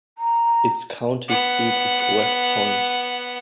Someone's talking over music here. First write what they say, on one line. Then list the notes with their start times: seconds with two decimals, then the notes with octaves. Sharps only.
Its county seat is West Point.
0.18 A#5
1.28 B3 F#5